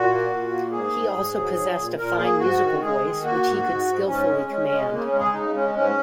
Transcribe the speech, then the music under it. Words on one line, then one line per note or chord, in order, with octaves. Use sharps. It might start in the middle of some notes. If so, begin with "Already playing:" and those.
He also possessed a fine musical voice, which he could skillfully command.
Already playing: A#2 F#4
A#3
A#2
A#3
G#2 G#4
G#2
G#2
F#3
F#3
A#2
A#2 A#4
A#3 G#4
G#2 F#4
D#3
G#3 G#4
D#3
A#3 F#4
G#2
G#2
G#2
G#2 C#4
G#3
G#3
G#3
C#3 A#3
C#4
G#3
G#4
C#3 D#4
G#3 C#4
G#2 C#4